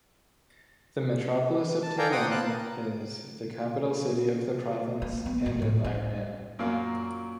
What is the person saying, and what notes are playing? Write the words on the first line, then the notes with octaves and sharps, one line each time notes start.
The metropolis of Tehran is the capital city of the province and of Iran.
A5
A4 D5 F5 G5 G#5 A#5
C5 F#5 G5 D6 D#6
B3 F5 A5 F#6
A#4
A#3
B3
G2
A2
C#4
F#2 A#2 A#3 F5